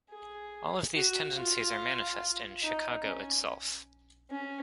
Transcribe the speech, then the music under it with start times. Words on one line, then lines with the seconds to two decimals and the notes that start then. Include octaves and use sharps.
All of these tendencies are manifest in "Chicago" itself.
0.10 G#4
0.94 F#4
1.37 F4
2.63 D#4
3.05 C#4
4.31 C#4